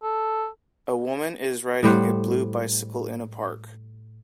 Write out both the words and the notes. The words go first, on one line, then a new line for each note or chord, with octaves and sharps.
A woman is riding a blue bicycle in a park.
A4
A2 G3 C5 F#5